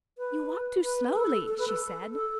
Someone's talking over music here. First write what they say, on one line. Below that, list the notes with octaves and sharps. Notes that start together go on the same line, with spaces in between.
"You walk too slowly," she said.
B4
B4
A4
A4
B4
A4
A4